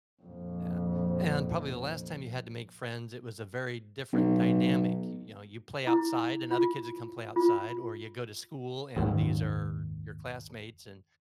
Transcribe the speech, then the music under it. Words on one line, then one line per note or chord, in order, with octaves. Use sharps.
Yeah, and probably the last time you had to make friends, it was a very different dynamic, you you know, you play outside and other kids would come play outside, or you go to school and these are your classmates, and
A#1 F2
B1
E4
F4
F4
F#1 D#2 G#2 D#3